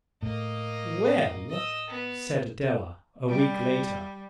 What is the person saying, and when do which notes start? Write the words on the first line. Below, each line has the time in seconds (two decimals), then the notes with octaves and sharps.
"Well?" said Adela a week later.
0.22 A2 A#3 D#5
1.50 D#5 E6
1.88 B3
3.29 G3